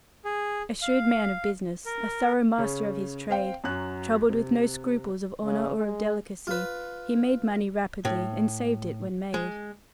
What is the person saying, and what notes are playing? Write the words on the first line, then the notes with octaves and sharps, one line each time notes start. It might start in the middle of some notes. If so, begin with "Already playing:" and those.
A shrewd man of business, a thorough master of his trade, troubled with no scruples of honour or of delicacy, he made money rapidly, and saved it when made.
G#4
F5
A#4
C#3 C#4
C4 F5 G5
F#2 F#3 F#6
C3
C#3
G#3
F4 B4
A2
G#3